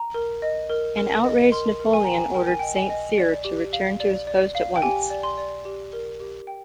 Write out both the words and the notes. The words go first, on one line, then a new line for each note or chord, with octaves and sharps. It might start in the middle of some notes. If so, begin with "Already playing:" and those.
An outraged Napoleon ordered Saint Cyr to return to his post at once.
Already playing: A#5
A#4
D#5
A#4
A#4
D#5
A#4 C6
A#4
G#5
G5 A#5
G#5
A#4 G5
G#5
D#5 G5
G#5
D#5
D5
G4
F5
D5
D5
F5
G5
G4 G#5
D5
C6
D5
G4
A#4
G4
G5